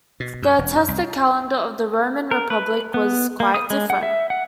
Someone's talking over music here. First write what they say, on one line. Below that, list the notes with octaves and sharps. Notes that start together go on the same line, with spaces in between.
The attested calendar of the Roman Republic was quite different.
B2
F#2
E1
F#2
C2
A#4
B4
B3
A#3
D#6
G#3
F#5
E5
F#5